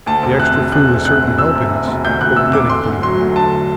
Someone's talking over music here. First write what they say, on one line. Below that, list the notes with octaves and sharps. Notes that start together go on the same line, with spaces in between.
The extra food is certainly helping us, but we are getting pretty hungry.
D2 A5
E1
C3 F#6
E1
D2 F#6
E1
C3 F#6
E1
D2 E6
E1
C3
E1
D2 G6
E1 F#6
C3 E6
E1 D6
D3 C6
D2
F#3 C6
D2
D3 A5